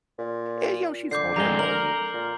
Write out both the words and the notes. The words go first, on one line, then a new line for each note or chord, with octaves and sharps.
And, you know, she's older and lonely.
A#2
D3 D6 G6 C7
F2 G#3 A#5 G6 G7
A#4 F#7 G7
A#2